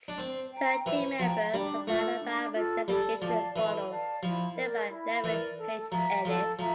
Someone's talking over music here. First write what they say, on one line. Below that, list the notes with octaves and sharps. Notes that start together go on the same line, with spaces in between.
Thirteen members of the Alabama delegation followed, led by Leven H. Ellis.
D4
C4 C5
G5 A#5
E3 C5
F3 G5 A#5
G3 D4
A3 F4 A4
D4
F4 A4
G3 A4
F3 D5 F5 A5
E3 A4
D5 F5 A5
F3 E4
A#4 D5
E4
E3 A#4 D5
A4
F3 E5 A#5
F3 A4
F3 E5 A#5